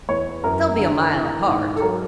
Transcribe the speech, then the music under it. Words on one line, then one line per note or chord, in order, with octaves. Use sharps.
They'll be a mile apart.
E2 C#5
F#2 A#4
D3
E3
G#2
A4
F#3 A#4